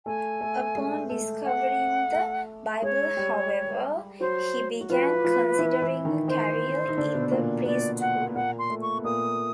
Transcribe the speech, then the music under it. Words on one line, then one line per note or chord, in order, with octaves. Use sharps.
Upon discovering the Bible however, he began considering a career in the priesthood.
A3 A4 G#5
A3 A4
G#3 G#4
A3 A4
F#5
A3 A4
G#3 G#4 C#5
G3 G4
F#3 F#4 C5
F#4
F3 F4 B4
F3 F4
E3 E4
E3 E4
D#3 D#4
D#3 D#4 C5
D#4
D3 D4
B2 B3
A#2 A#3
B2 B3 D5
F#5
B3
A#2 A#3 F#5
C6
A3
C#6
B3
A#2 A#3 D#6